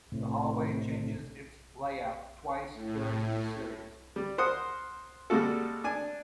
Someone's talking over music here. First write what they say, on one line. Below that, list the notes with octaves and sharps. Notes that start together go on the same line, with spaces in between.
The hallway changes its layout twice during the series.
A2 C3
A2
G3
A#4 C5 F#5 D#6
G3 G#3 A#3 F#4 A4
D4 G#5